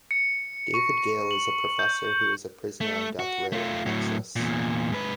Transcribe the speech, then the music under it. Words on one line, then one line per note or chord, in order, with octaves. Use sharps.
David Gale is a professor who is a prisoner on death row in Texas.
C#7
C#6
F#7
G6
A3
F#4
A3 F4
A2 F#3
E2 A#2
G#2 B4